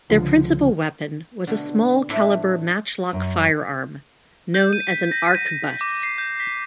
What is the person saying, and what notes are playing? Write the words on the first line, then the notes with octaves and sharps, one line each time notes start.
Their principal weapon was a small calibre matchlock firearm, known as an arquebus.
C#2 D3 F3
B2 D3
A2 C4 D4 E4 C#5 E5
F#2
G6
D#7
B6
A#6
D#7
D6
C7
G6
B6